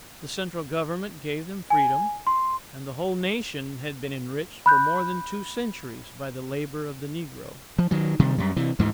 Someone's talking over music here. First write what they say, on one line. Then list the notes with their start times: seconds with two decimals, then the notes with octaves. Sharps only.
The central government gave them freedom, and the whole Nation had been enriched for more than two centuries by the labour of the Negro.
1.70 G#5
2.27 C6
4.66 B5 F#6 G6
7.79 F3
7.91 D#3 F#3
8.19 C3 D#3 G3
8.38 F#2 G3
8.57 C3 E3
8.79 D2 G#2 E3